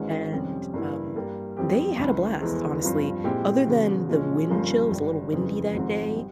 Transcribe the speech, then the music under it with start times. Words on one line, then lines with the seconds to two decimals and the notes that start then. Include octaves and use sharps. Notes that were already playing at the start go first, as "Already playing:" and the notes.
and, um, they had a blast, honestly, other than the wind chill it was a little windy that day,
Already playing: G#1 G#2 E3 G#3 C#4
0.32 F2 C3 G3 C#4 G4
0.74 G2 E3 A#3 E4
1.15 G2 G3 A#3
1.57 F2 E3 G3 C4 G4
1.99 C#2 C#3 E3
2.40 F1 E2 E3 G#3 E4
2.82 G2 F3 C4 F4
3.24 A#2 G#3 C4 E4 G4
3.66 E1 E2 C#3
4.08 A#2 F3 G#3 C#4
4.49 G1 G2 F3 A#3 C#4
4.91 G#1 G2 G3
5.33 F2 C#3 E3
5.74 G#1 G#2 F3 G#3 C4
6.16 G3